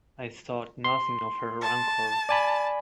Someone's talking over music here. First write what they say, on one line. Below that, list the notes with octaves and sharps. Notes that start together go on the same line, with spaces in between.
I thought nothing of her rancour.
C6
A5
D5 G#5 B5